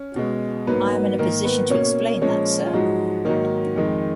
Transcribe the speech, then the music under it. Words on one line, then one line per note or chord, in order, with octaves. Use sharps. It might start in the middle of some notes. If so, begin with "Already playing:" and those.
I am in a position to explain that, sir.
Already playing: C#4
B2 G#3
G#2 F#3 A#3 B3 B4
G#2 D#3 A#3 A#4
B3 B4
B2 A#3 C#4 C#5
A#2 F3 G#3 C#4 C#5
F4
G#2 F3 F#3 G#3 F#4
G#2 D#3 F#3 A#3 D#4
F2 D#3 G#3